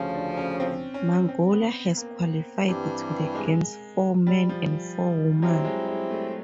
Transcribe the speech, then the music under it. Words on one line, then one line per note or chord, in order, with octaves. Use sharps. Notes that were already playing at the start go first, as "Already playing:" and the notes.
Mongolia has qualified to the games four man and four woman.
Already playing: D2 C#3 F3 C#4
D4
C#4
C4
C#4
C4
B3
A#3
G2 E3 G3 C4
G#3
G3
F3
F#3 G3 C4 E4
G#3
G#3
A3